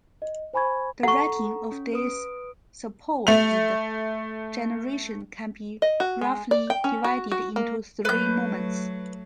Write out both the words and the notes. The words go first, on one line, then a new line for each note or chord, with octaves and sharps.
The writing of this supposed generation can be roughly divided into three moments.
D#5
C5 G#5 B5 C#6 G#6
A4 F#5 A#5 C#6
C#4
B4 D#6 D7
A3 F7
D#5
F#4
G#3
D5
G5
C#4
F#4
F#4
A#3
F#3 A3 B4 G6